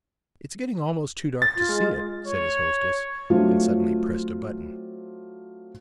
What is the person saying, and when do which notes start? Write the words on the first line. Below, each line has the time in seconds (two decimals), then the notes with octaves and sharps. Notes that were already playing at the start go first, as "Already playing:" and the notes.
"It's getting almost too dark to see it," said his hostess, and suddenly pressed a button.
1.42 A6
1.56 F4
1.69 G#3
2.26 C#5
3.30 F#3 A3 C4 D4 F4